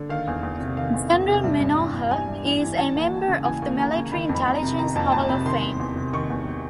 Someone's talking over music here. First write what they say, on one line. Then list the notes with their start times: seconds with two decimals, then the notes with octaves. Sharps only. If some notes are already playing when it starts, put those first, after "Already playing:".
General Menoher is a member of the Military Intelligence Hall of Fame.
Already playing: D3
0.09 D#3 F5
0.27 E2
0.43 E2
0.60 C3
0.77 D#3 F5
0.94 E2
1.10 E2
1.28 C3
1.43 G2 E5
1.60 G2
1.78 E3
1.94 E3
2.10 G2 G#5
2.28 G2
2.45 E3
2.62 E3
2.78 E3 A5
2.95 D#2
3.12 D#2
3.28 C#3
3.45 E3 G#5
3.62 D#2
3.78 D#2 A#5
3.95 C#3
4.12 D#3 B5
4.29 F2
4.35 B5
4.46 F2
4.56 A#5
4.63 C3
4.79 D#3 A#5
4.96 F2 A5
5.12 F2 A5
5.29 C3 B5
5.45 D#3 C6
5.62 E2
5.80 E2
5.96 C3
6.13 D#3 C#6
6.30 E2